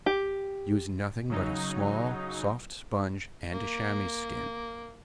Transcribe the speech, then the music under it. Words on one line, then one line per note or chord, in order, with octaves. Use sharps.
Use nothing but a small, soft sponge and a chamois skin.
G4
C#3 F#3 D#4
A#3